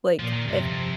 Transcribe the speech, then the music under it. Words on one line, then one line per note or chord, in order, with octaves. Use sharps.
Like, if
A#2 F3
D#3
G2 C3
F2